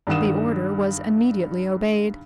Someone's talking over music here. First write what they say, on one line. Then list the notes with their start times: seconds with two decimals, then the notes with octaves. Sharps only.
The order was immediately obeyed.
0.07 G2 D#3 F#5 D#6 E7